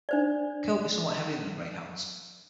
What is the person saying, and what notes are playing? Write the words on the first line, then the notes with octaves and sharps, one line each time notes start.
The coat is somewhat heavier than a Greyhound's.
D4 C5 D5